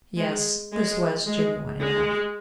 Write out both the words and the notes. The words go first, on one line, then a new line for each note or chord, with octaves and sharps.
Yes; this was genuine enough.
G#3
G#3
G#3
G#3